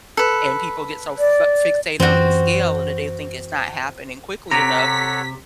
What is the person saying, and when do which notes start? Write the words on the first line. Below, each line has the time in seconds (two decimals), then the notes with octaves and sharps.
And people get so fa fixated on the scale and that they think it's not happening quickly enough.
0.17 A4 B4
1.19 D5
2.00 F#2 E3 C4 F#4
4.51 C3 A4 C#5 F#5 A#5 B6